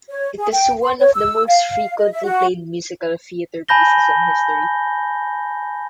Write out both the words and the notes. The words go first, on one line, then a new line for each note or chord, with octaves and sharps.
It is one of the most frequently played musical theatre pieces in history.
C#5
G#4
G5
C6
C#5
E6
F5
D#5
E5
F#4
G#5 A5 B5 G6 A#6 G7